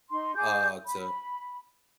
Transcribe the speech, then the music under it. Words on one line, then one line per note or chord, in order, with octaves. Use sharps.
uh, to
D#4 C6
G#4 D6 G6
B5